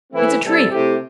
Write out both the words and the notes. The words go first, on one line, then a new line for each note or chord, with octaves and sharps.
"It's a tree."
E3 A3 C4 E4
C3 G3 C4 A4
C3 A3 E4 G4